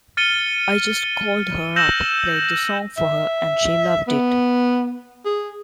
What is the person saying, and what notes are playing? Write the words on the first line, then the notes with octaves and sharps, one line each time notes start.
I just called her up, played the song for her, and she loved it.
F6 A6 C#7 D#7 G7
E6 G6 A#6 E7 F#7
E5
B3
G#4